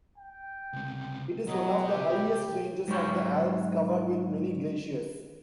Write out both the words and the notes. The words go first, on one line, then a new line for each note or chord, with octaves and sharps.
It is one of the highest ranges of the Alps, covered with many glaciers.
G5
C#2 C3
B2 F#3 B3 D#5
G4 G5
G#2 F#3 C#5 G5